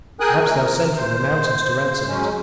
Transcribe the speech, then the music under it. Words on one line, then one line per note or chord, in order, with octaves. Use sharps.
Perhaps they'll send from the mountains to ransom it.'
G#4 A#4 G5 G#5 D#6 F#6
A#2 A#4
C5
F#3 G#3 C#4